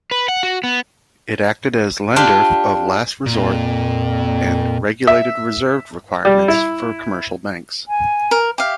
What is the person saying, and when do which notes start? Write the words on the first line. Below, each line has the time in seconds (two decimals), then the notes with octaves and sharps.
It acted as lender of last resort and regulated reserve requirements for commercial banks.
0.11 B4
0.28 F#5
0.43 F#4
0.64 B3
2.16 D4 F4 G4
3.26 F2 A#2
5.07 E5
6.25 G3
6.48 E4
7.88 G#5
8.31 A#4
8.58 G4 E5 F5